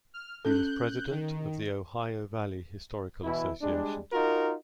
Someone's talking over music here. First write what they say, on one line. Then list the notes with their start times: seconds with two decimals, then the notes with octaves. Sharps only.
He was president of the Ohio Valley Historical Association.
0.14 F6
0.45 C#4 A4 F#6 G6
1.10 D#3
3.24 B2 E3 E4
3.62 G3 G#3 D4
4.13 D#4 F4 F#4 A#4